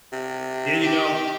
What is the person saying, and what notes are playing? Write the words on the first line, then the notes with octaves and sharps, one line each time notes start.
Yeah, you know,
C3
G4